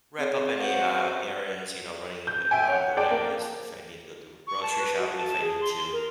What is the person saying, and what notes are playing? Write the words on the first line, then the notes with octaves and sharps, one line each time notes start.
wrap up any, uh, errands, you know, running a around doing errands, if I need to go do grocery shopping, if I need to,
C4 G#4 C#5
F#4 B4 C5 F5
G6
E5 G5 G#5
C#5 F#5
G#4 D5 G5 A5
A#3
C#6
A5
B4
F#4
A5
G#4
C6
A#4